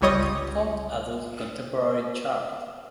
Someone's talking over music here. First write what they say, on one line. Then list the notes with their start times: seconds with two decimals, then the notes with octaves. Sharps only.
Hot Adult Contemporary chart.
0.01 G1 C#2 G3 C#5 D#5 D#6